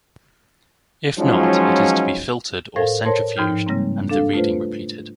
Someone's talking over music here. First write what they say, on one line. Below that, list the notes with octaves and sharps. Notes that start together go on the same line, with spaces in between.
If not, it is to be filtered or centrifuged and the reading repeated.
F3 F#3 G#3 C#4 D#4 F4
A2 A4 A#4 C5 F5 G#6
A#4 C5 C#5 A5 C6 G#6
G#2 F3 D#4 G5 F6 G6
C#3 G3 G#3 A#3 C4
D4 A4 F5
A3 F4 B4 C5